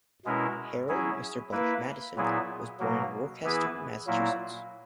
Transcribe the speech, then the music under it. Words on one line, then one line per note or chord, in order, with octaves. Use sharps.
Harold 'Mr Butch' Madison was born in Worcester, Ma.
B2 G#3 C#4 E4 A#4
F#3 C#4 E4 G#4
A#3 E4 B4
A#2 F#3 B3 E4 G#4
B2 F#3 A#3
E3 B3 E4 G#4 B4
A#2 F#3 A#3 E4